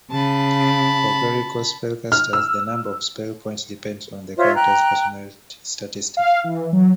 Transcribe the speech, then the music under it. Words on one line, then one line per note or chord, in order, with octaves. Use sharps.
For Clerical spellcasters, the number of spell points depends on the character's Personality statistic.
C#3 A5 B5
F6
E6
F4 C5 C#5 E5
G5 A#5 F#6
F5
E3
F#3